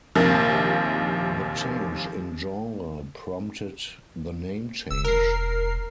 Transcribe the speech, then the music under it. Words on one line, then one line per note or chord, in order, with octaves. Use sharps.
The change in genre prompted the name change.
A#1 D#2 C3 D#3 F3 A#3
E1 E6
A#4 C7